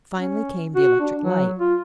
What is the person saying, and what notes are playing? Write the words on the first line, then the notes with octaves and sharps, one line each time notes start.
Finally came the electric light.
C#4
F#4
D4
F#3
F4